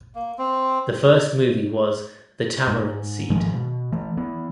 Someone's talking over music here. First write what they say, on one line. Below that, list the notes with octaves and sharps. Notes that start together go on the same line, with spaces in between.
The first movie was "The Tamarind Seed".
A#3
C4
G#2
G#2 D#3 F3 G#3
B2
E3 A3
E3 B3